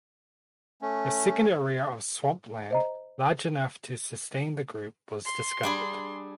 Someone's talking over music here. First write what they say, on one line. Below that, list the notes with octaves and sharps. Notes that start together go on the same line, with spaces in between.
The second area of swampland large enough to sustain the group was discovered.
A3 C#4
C5 D#5 A#5
C6
G3 D4 G#4